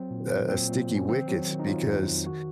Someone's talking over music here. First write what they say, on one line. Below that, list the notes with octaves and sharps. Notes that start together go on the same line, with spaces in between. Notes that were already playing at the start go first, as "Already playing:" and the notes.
a a sticky wicket because
Already playing: F#3 C4
A#2
F#3
A#2 C4
A#2
F#3
C#4
D#3 C4
F#3
D#3
D#4
F#3 F4
F2
F2
D#3 F#4